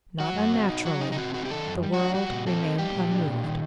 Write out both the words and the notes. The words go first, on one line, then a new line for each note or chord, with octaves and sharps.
Not unnaturally the world remained unmoved.
F#3 F#4
F#2
C4
D#4
F#3 F#4
C3 D#4
D#4
C4 F#4
D#4 F#4
G4
D#3 A4
F#2
G3
D4 F#4
G3 F#4
A#2
C4 A4
D#4
G3 G4
A#2
D4
A#2
D#3